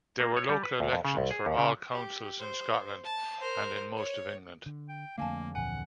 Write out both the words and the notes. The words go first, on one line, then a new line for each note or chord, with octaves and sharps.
There were local elections for all councils in Scotland and in most of England.
A#3
C#5
G3
B4
D2
F2
C#3
C2
G#4
D#2
C#3
G4
C5
A5
A#4 C5
C#5
D3
G5
F2 D3 A3 A#3 F5 G#5 A5
D2 A#2 E3 F#5 G#5